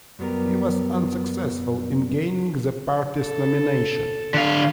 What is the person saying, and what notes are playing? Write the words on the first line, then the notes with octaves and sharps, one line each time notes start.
He was unsuccessful in gaining the party's nomination.
F#2 F#3 G3 B3 G4 A#4
A4
D3 F5